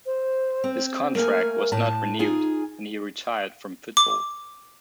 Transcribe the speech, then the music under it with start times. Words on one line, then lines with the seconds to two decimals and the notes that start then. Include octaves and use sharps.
His contract was not renewed and he retired from football.
0.06 C5
0.64 C4
1.15 A3 A#3 A#4 G#5
1.72 A2 A5
2.19 D#4 F4 G#4 G#5
3.97 D6